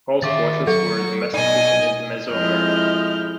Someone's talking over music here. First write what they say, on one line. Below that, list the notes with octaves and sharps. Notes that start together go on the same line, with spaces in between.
All squashes were domesticated in Mesoamerica.
D#3 E5 F5 D6 A6
F#3 A4 C#6
B2 D#4 D5 D#5 G#5
F2 G#3 E4 D#5 F6 G6